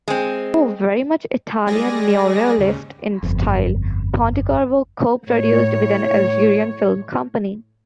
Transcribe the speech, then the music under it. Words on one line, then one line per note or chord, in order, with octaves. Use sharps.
Though very much Italian neorealist in style, Pontecorvo co-produced with an Algerian film company.
G#3 C4
G3 G#3 G#4 D5 A#6
D#2 G#2 C#3
G1 F2
A2 C#5